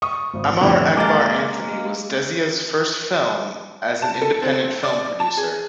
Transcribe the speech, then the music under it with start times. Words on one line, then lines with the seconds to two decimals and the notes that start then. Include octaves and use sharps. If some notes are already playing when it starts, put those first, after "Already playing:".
"Amar Akbar Anthony" was Desai's first film as an independent film producer.
0.02 C#6 D#6
0.33 G#1
0.61 F2 A2 D3 E3
0.97 G#3 A#3 D6 A6
4.02 A5
4.22 A4
4.42 C4
4.83 D5
5.20 A5
5.37 G#4